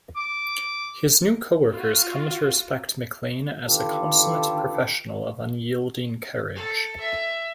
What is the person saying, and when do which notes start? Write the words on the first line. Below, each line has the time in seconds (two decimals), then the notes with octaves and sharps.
His new coworkers come to respect McClain as a consummate professional of unyielding courage.
0.16 D6
1.72 F4 F#4
3.67 D#2 D3 F4 G4 A4 B4
6.56 A4
7.00 E5